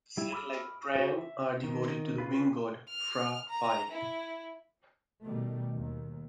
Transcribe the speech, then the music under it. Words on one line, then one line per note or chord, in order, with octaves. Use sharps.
The satellite "prang" are devoted to the wind god, Phra Phai.
G3 E4
B5 D6 E6 F6
F#4 C5
E5
D#3
C#3 F4 B4
F6
A#5
E4
B2 D#3 G3 A3
D#2 D#3